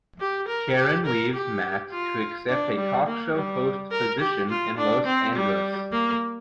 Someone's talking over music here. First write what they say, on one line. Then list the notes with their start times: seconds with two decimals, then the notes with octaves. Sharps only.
Karen leaves Matt to accept a talk show host position in Los Angeles.
0.20 G4
0.48 A#4
0.77 G4
1.06 A#4
1.33 G4
1.91 F4
2.48 D4
2.77 G3
3.06 A#3
3.35 G3
3.92 A#4
4.21 G4
4.50 F4
4.77 D4
5.06 C4
5.35 G3
5.92 A#3